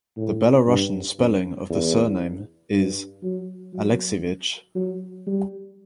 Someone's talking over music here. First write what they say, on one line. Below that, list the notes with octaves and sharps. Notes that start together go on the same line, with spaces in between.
The Belarusian spelling of the surname is Alexievich.
A2
G2
F#2
E2
G2
F#3
F#3
F#3
G3